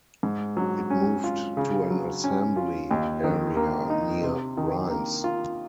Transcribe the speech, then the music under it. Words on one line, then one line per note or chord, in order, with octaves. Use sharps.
It moved to an assembly area near Rheims.
G#2
F#3
C#4
F4
C#3
F#3
C#4
F4
D#2
D#3
A#3
D#4
C3
D#3
A#3
F4